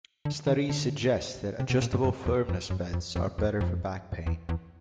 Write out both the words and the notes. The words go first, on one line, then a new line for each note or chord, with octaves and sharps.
Studies suggest that adjustable-firmness beds are better for back pain.
D3
D#3
D3
C3
B2
A#2
G2
F#2
E2
F2
F#2
F2
F2
E2
F2
E2
E2